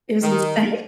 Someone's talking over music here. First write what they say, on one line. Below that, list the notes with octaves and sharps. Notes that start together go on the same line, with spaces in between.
It was insane.
D#3